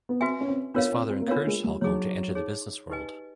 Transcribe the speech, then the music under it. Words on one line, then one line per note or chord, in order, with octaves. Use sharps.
His father encouraged Holcomb to enter the business world.
B3
C4 F#4 B4 E5 G#5
C#4
C4
B3 D4 F4 A#4 C#5 F5
C4
C4
A#3
B3 D4 F4 A#4 C#5 F5
G#3
G3
F#3 D#4 G#4 C#5
D#4 G#4 C#5
D#4 G4 B4 D#5 G#5